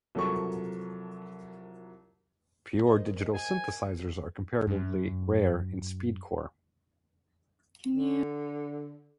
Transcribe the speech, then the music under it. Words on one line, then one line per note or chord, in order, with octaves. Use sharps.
Pure digital synthesizers are comparatively rare in speedcore.
C2 F3 F#3 A4 A#4 C#6
A#4 C5 D#5
G#5
F#2
D3